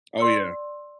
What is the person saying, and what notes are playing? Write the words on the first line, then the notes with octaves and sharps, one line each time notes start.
Oh yeah.
D5 C6 E6